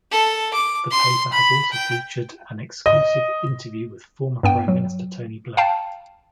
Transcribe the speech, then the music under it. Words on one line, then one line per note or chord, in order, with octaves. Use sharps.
The paper has also featured an exclusive interview with former Prime Minister Tony Blair.
A4
D6
C6
B5
G5
D#5
G2 B3 G5
F#3
F5 G5 A5